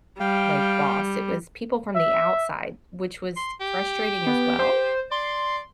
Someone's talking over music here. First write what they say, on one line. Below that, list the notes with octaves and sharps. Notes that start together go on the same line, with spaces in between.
like, boss, it was people from the outside, which was frustrating as well
G3 F5 G5
E5
C6
G4
B3
C5
D5 C6